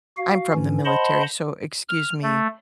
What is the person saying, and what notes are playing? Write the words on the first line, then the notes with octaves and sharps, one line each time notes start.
I'm from the military, so excuse me,
F#4 F5
G#2 E3 C#4
C5 D#5 F#5 A5 B5 C6
F6
A3